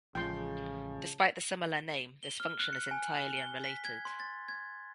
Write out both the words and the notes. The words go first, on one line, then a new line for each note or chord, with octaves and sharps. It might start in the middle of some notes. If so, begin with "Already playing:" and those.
Despite the similar name, this function is entirely unrelated.
A1 C#3 F3 G#3 G5 C6
G7
F6
F#6
C#7
G#5
G7
B6
G#6
C6
A6
G#6